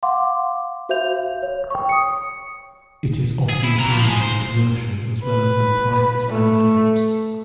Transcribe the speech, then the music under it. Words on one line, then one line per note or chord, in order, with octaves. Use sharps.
It is often found in commercial as well as in private landscapes.
F5 F#5 C6 D6
F#4 C5 E5 F5 G6 F7
C#5
G5 C#6
D#6 C#7
G#4
E4
E3 A#4
F3
G#3
C5
B4
A3